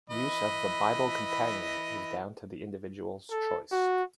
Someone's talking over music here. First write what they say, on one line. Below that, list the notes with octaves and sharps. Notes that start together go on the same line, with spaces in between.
Use of the 'Bible Companion' is down to the individual's choice.
E3 D#5 B5
A4
F#4